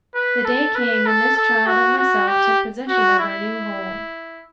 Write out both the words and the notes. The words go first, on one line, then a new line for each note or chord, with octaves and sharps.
The day came when this child and myself took possession of our new home.
B4
A4
B4
A4
A4
F#4
F#4
G4
F#4
E4